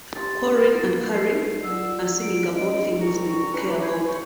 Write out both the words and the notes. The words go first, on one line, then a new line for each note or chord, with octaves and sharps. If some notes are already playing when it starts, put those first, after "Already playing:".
Corin and Carrie are singing about things they care about.
G4 C6 A6
F5
C7
F#3 F4 D5 E6
D7
C#4 D#4 D#5
C2 G#2 F#4 A#5 C#6
D2 A2 C#4 D#4 B4
E4 G4 D5 D6
B4 C5 G#5
A2 C5 C#6